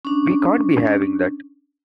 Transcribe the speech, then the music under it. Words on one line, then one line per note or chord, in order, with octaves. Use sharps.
We can't be having that!
C#4 D4